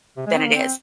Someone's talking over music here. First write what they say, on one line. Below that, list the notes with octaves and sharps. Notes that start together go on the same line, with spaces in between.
than it is?"
C3
G#3
C4
A#3
C4